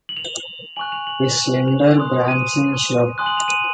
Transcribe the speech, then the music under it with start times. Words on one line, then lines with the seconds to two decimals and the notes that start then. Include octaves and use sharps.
A slender branching shrub.
0.09 F#7
0.17 F7
0.76 G#5 C#6 F#6 F#7
0.92 F7
1.07 F#7
1.23 F#7
1.68 F7
1.98 C6 D#6 F#6
2.28 D#7
3.18 G#5 C6 D#6 F#6
3.26 F#7
3.37 F7
3.48 D#7